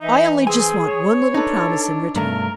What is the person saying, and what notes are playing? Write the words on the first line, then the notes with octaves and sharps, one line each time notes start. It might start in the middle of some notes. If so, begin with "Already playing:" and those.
"I only just want one little promise in return."
E3 D#4 E5
C4 G#4 G#5
C#5
D4 D#4 A4 B4
G2 A3 A#4 A#5